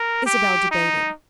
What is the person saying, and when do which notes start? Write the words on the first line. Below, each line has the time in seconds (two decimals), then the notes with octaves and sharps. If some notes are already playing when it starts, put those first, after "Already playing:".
Isabel debated.
Already playing: A#4
0.26 G4
0.71 D#4